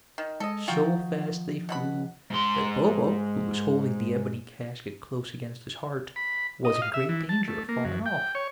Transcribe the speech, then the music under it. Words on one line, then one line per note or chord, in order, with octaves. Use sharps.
So fast they flew that Bobo, who was holding the ebony casket close against his heart, was in great danger of falling off.
D#3
G#3 A4 D#5
D#3 F3 F4 F#4 G5 A#5
B2 F#5 B5
G#2 C6
B5
D#5
F5
E5
E3
A5
A3
A#3
F#2
G5
C#5